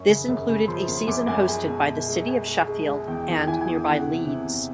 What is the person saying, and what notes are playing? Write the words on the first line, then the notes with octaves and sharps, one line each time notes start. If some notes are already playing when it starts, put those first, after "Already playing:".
This included a season hosted by the city of Sheffield and nearby Leeds.
Already playing: F#2 C#6
C#3
F#2
C#3
F3 C6
F#2
F#2 D6
F#2 G#5
G#3 G#5
B2
G#3
G#3
G#3 G#5
G#3
G#3
G#3
E2 G5
E2 G5
E3 G#5
G#5
E2
G5
E2 F#5
C3
C3
E2